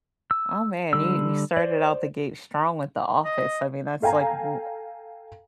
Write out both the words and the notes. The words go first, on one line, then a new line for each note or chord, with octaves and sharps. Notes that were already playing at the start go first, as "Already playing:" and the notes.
Oh man, you you started out the gate strong with The Office. I mean, that's like o
E6
D3 G3 E6
C5 D5
D#5
A4 F5 G5 G#5 A#5